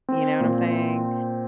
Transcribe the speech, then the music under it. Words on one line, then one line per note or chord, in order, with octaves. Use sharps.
You know what I'm saying?
C4
A#2